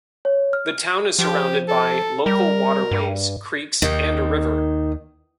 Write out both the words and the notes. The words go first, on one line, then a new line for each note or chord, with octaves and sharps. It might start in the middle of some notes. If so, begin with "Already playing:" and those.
The Town is surrounded by local waterways, creeks and a river.
C#5
F6
F3 G4
A4
G3 A#4
G2
D#2 D#3